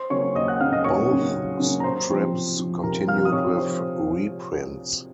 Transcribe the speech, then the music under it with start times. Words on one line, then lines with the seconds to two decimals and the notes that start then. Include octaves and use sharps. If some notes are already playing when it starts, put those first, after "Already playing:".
Both strips continued with reprints.
Already playing: C5 C6
0.10 C#3 F#3 A#3 C#4 C#5 C#6
0.35 D#2 D#5 D#6
0.48 F#5 F#6
0.60 C#3 F#3 A#3 C#4 F5 F6
0.73 D#5 D#6
0.84 D#2 C#5 C#6
1.10 C#3 F#3 A#3 C#4
1.34 D#2
1.60 C#3 F#3 A#3 C#4
1.80 A#5
1.84 C3 C5 C6
2.09 F3 C4
2.33 C3
2.59 F3 C4
2.83 C3 A#4 A#5
3.08 F3 C4 F5 F6
3.25 D#6
3.32 C3 C#5 C#6
3.57 F3 C5